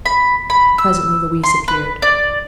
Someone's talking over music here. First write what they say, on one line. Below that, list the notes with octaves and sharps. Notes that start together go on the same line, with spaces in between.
Presently Louise appeared.
B5
B5
E6
C6
B4
D5